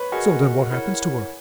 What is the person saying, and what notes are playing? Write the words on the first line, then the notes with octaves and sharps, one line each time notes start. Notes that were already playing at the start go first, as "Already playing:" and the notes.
So then what happens to her?
Already playing: B4 C#5
F#4 G#4 A#4 D#5 F#5
E4 A#4 C#5 F#5